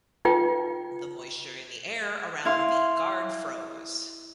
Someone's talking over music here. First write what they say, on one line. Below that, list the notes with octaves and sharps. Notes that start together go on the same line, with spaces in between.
The moisture in the air around the guard froze.
D#4 F4 B4 G5
E4 F5 C6